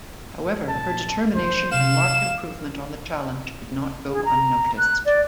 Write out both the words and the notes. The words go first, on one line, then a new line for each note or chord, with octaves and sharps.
However her determination and marked improvement on the challenge did not go unnoticed.
A#1 A5
D#3 D#4 C5
C3 F5 E7
G#4
A#5
F#6
D5